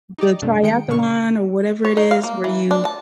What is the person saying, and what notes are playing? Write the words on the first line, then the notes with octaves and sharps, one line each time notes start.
the triathlon or whatever it is where you
D#4 G4 D5 D#5
G2 C3 A3 D4
D#3 G#3 G5 C#7 D7
A#2 C#3 A#3 D4 C#6 F6
C#5
D#4
F5
A#3
E3
D4
A5